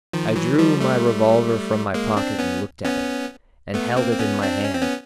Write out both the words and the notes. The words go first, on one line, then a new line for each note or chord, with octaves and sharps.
I drew my revolver from my pocket and looked at it, and held it in my hand.
D#3 F3
E3 F#3
F3 G3
G3 A3
G#3 A#3
C4 D4
B3 C#4
B3 C#4
A3 B3
A#3 C4
C4
B3 C#4
C4 D4
C#4
C4
B3 C#4